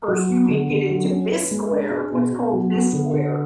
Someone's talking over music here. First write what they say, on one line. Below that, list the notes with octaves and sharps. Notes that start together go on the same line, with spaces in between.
First you make it into bisqueware what's called bisqueware,
F#3
B3
D3
D3
F#3
C#4
B4
G#3
D4
G#4
B2
B2
F#3
B3
D3
D3